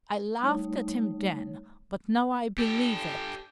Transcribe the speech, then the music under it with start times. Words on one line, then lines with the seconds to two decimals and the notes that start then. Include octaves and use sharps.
I laughed at him then, but now I believe it.
0.40 G3 A3 D#4 C#5
2.59 G4 A4